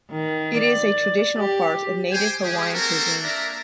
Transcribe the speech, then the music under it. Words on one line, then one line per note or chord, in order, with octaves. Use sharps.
It is a traditional part of Native Hawaiian cuisine.
D#3
D5
G4
C5 G5 G#5
G#3 G4 G#4
A#3 C4 F#4 A4 A#4
A#3 D4 A#4 D5 E5 A#5